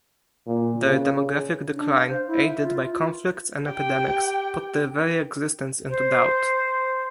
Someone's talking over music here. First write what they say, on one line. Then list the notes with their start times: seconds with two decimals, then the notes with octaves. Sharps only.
Their demographic decline, aided by conflicts and epidemics, put their very existence into doubt.
0.47 A#2
0.83 C#3
1.76 D4
1.93 F5
2.09 C5
2.28 E4
2.44 E5
2.62 F4
3.68 G4 G5
5.90 C5